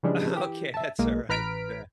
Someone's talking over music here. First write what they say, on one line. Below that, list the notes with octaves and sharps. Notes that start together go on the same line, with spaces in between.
Okay, that's alright. Yeah.
C#3 E3 F3 G3 G#3 D4
E3 G4
E5 A5
B1 G#3 A#3
A1 B4 A#5 F6 B6 D7